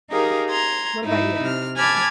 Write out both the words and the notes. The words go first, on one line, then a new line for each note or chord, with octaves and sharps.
What about you?
D#4 G4 G#4 A#4 F5
A#5 C6 G#6
G#2 D#4 E4
C3 F6
G#5 A5 B5 D6 F6 G#6